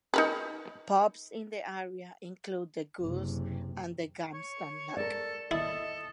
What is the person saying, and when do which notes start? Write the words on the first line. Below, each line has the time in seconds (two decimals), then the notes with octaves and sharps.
Pubs in the area include 'The Goose' and 'The Gamston Lock'.
0.14 D#4 A#4 B4
3.00 F#1 C3
4.33 C#5
4.97 A4 A#4 D5
5.51 E4 A4 D#5